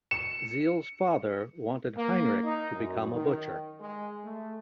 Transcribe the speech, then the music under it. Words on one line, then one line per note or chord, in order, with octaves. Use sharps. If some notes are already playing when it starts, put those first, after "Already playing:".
Zille's father wanted Heinrich to become a butcher.
C#7 E7
A#3
D#4
F#2
D#3
G#3
A3